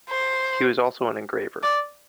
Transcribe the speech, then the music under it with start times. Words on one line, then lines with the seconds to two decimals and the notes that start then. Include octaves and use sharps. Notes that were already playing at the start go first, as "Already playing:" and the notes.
He was also an engraver.
0.10 C5
1.63 D5